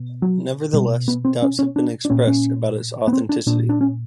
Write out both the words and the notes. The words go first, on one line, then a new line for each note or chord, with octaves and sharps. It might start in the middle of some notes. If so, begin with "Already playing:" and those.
Nevertheless, doubts have been expressed about its authenticity.
Already playing: B2
F#3
B2 G3
B3
C4
C#4
C#4
D4
D4
A#2 C#4
C#4
B3
C4
D4
A#2 D4
D4
C#4